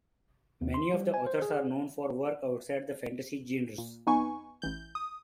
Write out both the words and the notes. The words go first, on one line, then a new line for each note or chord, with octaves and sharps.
Many of the authors are known for work outside the fantasy genres.
D#2
C6
G3
G#5
C5
G#4
A#2
F2 B3 D#4 B4 G#5 C#6
A1 E3 G6
D#6